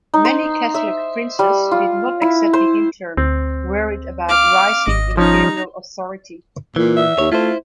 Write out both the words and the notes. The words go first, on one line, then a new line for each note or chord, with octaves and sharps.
Many Catholic princes did not accept the Interim, worried about rising imperial authority.
D#4
C5
E5
G3
F4
E4
C5
D2 C4
F5 D6
G#1 D#5
F3 C#4 D#4 A#5
A#2 E3
E5
D#2 C#5
A3 E4 F4 C5